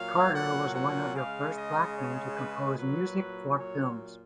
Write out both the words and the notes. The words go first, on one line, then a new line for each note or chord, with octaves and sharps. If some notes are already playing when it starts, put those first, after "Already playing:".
Carter was one of the first black men to compose music for films.
Already playing: A#2 F#3 F5
F#5
F#5
C#3 G#3 F5
D#5
C#5
B4
A#2 F#3 B4
C#5